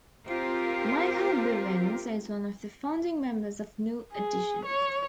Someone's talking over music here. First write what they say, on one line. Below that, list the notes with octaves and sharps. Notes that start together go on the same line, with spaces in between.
Michael Bivins is one of the founding members of New Edition.
C4 F4 G4 A#4 C5
G#4
C#5